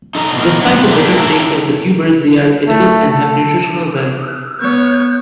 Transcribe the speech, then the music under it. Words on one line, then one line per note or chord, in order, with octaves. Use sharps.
Despite the bitter taste of the tubers, they are edible and have nutritional value.
D#4 A4 D#5 A#5
B2 E3 D#4 A#4
F#2 D3 F#3
E2 C3 C4 B4
A#3 D4 E4 G4
G2 G4 A#4 C#5 E5 A5
A3
A4
B3 C#5